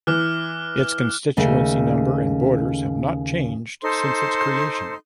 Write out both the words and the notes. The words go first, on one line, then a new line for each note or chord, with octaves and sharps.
Its constituency number and borders have not changed since its creation.
E3 D6 F6 F#6
D#2 C#3 A3
D#4 A4 C5 C6